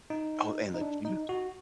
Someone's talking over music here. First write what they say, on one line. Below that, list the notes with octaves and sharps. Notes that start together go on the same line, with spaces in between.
Oh, and the cheese.
D#4
D#4
D4
D#4
F#4